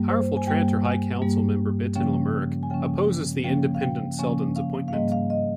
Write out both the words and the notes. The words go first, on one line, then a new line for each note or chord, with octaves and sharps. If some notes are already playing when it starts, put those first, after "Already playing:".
Powerful Trantor High Council member Betan Lamurk opposes the independent Seldon's appointment.
Already playing: G2 G3 A#3
C5
G#5
G2 G3 A#3 G5
G#5
G2 G3 A#3
C#3 F3 A#3 C#4 G5
G#5
C#3 F3 A#3 C#4 G5
C#3 F3 A#3 C#4 G5
F5
G5
C#3 F3 A#3 C#4 G#5
F5
F5
G#2 G3 A#3 D#5
F5
D#5